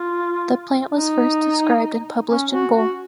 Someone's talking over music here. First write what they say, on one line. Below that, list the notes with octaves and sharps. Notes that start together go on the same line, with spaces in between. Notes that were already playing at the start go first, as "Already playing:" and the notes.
The plant was first described and published in Bull.
Already playing: F4
D#4
C#4
F#4
F#4